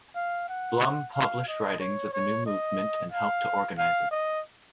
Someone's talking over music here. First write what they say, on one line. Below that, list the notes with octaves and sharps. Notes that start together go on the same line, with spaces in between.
Blum published writings of the new movement and helped to organize it.
F5
F#5
F5
D#5
C#5
C#5
D#5
F5
F5
D#5